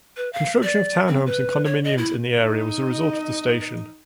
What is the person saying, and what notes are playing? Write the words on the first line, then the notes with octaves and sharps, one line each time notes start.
Construction of townhomes and condominiums in the area was a result of the station.
B4
F5
D5
C4
B4
C#5
D#5
E4
D#4 D#5